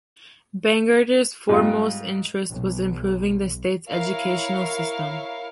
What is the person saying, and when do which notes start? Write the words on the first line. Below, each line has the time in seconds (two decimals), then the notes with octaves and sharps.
Bangerter's "foremost interest was improving the state's educational system".
1.49 G#2 G3 F4
2.51 B1
3.90 E4 A#4 C#5 F5